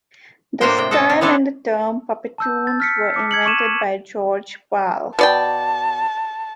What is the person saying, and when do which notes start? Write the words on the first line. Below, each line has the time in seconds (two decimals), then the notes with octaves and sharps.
The style and the term "Puppetoons" were invented by George Pal.
0.61 A2 A#3 D4 F#4 C5 G5
0.77 A2 C3 G5
0.91 A4 D#5 F#5 G5 A5
1.10 C#4
1.21 B3 C4 D4 A4 B4 C#5
2.38 A5 E6 G6
2.67 A6
2.80 F6 B6 C#7
3.14 A5 D6 C#7
3.31 G#6 C#7 F#7
3.45 C#6 D6 D#7 E7
5.19 B2 D5 G5 A5